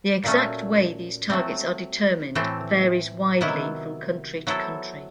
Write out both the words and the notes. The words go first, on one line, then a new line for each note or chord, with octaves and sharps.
The exact way these targets are determined varies widely from country to country.
A#2 F#3 A3 C#4
F#3 A3 C4
A2 E3 A3 C4
C3 D#3 F#3 B3 E4
F#3 B3 E4 A4 C5